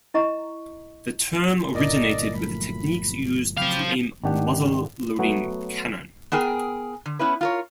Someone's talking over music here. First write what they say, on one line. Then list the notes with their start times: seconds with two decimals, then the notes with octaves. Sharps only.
The term originated with the techniques used to aim muzzle-loading cannon.
0.14 E4 D#5 A#5 C#6
1.75 G1 A#2 E4 A#4 D5 D#5
2.34 F3 F#3 A3 B5
3.58 C#3 F#3 C4 C5 F5 G5 B5 D6
4.24 G#1 D#3 D4 G4 F#5
5.19 F#3 A3 B3 F#4
6.32 B3 D4 G#4 A#4 G5 G#5
7.06 D3
7.19 B3 C#4 E4 B4
7.41 F4 A#4 C#5